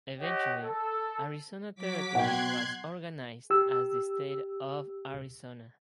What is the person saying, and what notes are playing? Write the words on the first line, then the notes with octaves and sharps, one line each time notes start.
Eventually, Arizona Territory was organized as the State of Arizona.
G4 C#5 D#5 F#5
A4
F#3 D6 B6
B2 F#5 G5 C6 F#6 G#6
G4 E6